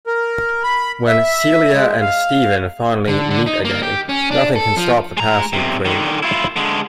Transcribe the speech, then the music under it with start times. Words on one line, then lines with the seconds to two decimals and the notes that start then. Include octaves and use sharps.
When Celia and Stephen finally meet again, nothing can stop the passion between them.
0.07 A#4
0.64 B5
1.08 E5
1.73 G#3
2.01 F5
3.08 D3
3.30 D3
3.46 D#4
3.65 A#3
3.83 G4
4.09 C#4
4.31 D4
4.56 A4
4.77 F3
5.17 G#3 A#5
5.53 B1 C3
5.85 D3 D#3
6.23 E4 F4
6.56 D3 G#3